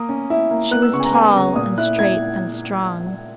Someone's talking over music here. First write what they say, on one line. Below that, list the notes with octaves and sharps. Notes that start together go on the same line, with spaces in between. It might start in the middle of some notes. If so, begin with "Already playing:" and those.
She was tall and straight and strong.
Already playing: A#3 D#6
C#4
E4
A#3
B3 F#6
E6
C#3 C#6
G#5
A#5
B3 G#5
C#3 A#5
A#2 D#6
E4 F#6
E4 G#6